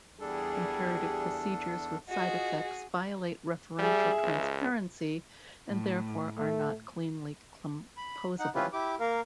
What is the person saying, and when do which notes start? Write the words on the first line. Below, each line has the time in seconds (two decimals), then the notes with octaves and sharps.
Imperative procedures with side effects violate referential transparency and therefore are not cleanly composable.
0.20 E2 G3 D4 G#4 A4
2.09 F4 F#4 G#4 D#5
3.79 G3 G#4 E5
4.24 C#2
5.68 A2
6.39 A3
7.96 B5
8.39 D#4 F#5
8.55 C#4 E4 F4 G4 B4
8.73 E4 G4 D6
9.00 A#3 A#4 F5